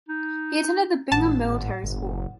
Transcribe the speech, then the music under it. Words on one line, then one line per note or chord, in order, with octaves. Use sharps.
He attended the Bingham Military School.
D#4
G#1 A2 F#5 A5
G1
F#1